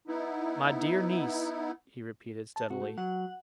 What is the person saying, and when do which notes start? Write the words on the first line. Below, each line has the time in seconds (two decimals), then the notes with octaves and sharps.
My dear niece,' he repeated steadily.
0.07 B3 D#4 E4
2.56 A5
2.70 C3 F#4
2.82 A3
2.98 F#3 F#5